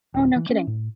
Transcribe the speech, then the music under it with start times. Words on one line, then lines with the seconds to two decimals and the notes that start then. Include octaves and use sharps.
Oh, no kidding.
0.14 D1
0.36 E3
0.49 C#4
0.67 A2